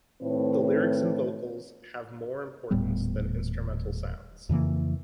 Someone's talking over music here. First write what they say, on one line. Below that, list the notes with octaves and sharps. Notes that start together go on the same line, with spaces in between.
The lyrics and vocals have more importance than instrumental sounds.
A2 D#3 A3 C4 B4 C#5
D#1 A2 G3 B3
F2 C#3 E3 A#3